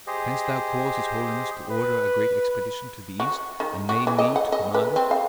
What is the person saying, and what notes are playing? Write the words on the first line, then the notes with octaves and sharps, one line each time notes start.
Canst thou cause his holiness to order a great expedition to the East and name me to command it?
G4 G#4 C5 D#5
B4
F#4
D#3
F#4
E3
D#5
F#5
D#5
B4
C4
F5